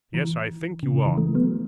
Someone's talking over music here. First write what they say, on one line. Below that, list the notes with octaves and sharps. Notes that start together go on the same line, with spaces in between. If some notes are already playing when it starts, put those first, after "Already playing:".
'Yes, I think you are.
E3
C#3
C#3
E3
E3 A3
F#3 B3